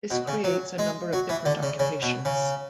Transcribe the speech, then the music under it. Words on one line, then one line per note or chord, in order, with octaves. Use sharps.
This creates a number of different occupations.
B2
C#3
F#3
G#3
F#3
E3
D3
C#3
C#3
B2
C#3